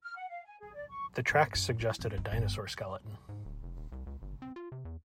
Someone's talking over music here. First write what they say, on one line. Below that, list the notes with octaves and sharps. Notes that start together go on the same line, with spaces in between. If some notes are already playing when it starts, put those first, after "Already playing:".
The tracks suggested a dinosaur skeleton.
F6
F#5
F5
G#5
G#4
D5
C#6
G#1
F#2
E4
F2
D#4
G1
G#2
D1
F1
D#1
C2
C#2
G1
C4
F4
C3
E2